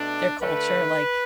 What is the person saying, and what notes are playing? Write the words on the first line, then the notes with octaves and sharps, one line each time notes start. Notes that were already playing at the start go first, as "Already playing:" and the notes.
their culture, like
Already playing: B2 A3 D4
D3 A3 B4